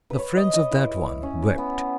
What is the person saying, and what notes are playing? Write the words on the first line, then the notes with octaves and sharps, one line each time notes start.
The friends of that one wept.
B4
C#5
D#5
D#5
E4
C#4
B3